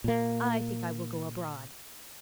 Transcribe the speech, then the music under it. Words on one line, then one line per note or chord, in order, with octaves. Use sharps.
"I think I will go abroad."
A#2 A#3